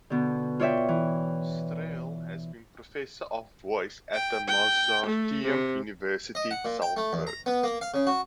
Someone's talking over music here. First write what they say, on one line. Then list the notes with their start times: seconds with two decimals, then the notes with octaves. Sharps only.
Strehl has been professor of voice at the Mozarteum University Salzburg.
0.10 B2 D3
0.59 F4 C#5 D5 E5 G5
0.89 E3
4.14 G5
4.48 G5
5.07 A3
5.46 C3
6.35 D#5
6.51 F#5
6.65 A#2
6.82 G5
6.97 A3
7.13 E2
7.27 A#5
7.46 B3
7.63 A#3
7.81 F5
7.94 C#3
8.07 F#4